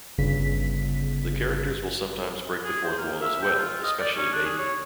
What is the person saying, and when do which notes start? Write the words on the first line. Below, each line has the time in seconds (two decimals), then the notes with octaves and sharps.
The characters will sometimes break the fourth wall as well, especially Baby.
0.18 G1 C#3 B6
2.64 G#4
2.84 C5
2.98 A#3
3.21 E5
3.42 G5
3.59 F4
3.83 D#5
4.00 D5
4.16 C#4
4.33 D4
4.46 G#4
4.58 C#5